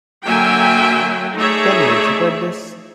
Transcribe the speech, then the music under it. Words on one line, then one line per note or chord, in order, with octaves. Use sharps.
Can you interpret this?
D3 F#3 A#3 E5 G5 G#5
A3 D#4 G#4 C#5 D5 E5